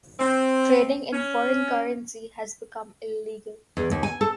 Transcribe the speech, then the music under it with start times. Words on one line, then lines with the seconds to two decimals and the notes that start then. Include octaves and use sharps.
Trading in foreign currency has become illegal.
0.20 C4
1.13 C#4
3.77 E2
3.91 D#2
4.03 G#5
4.21 A4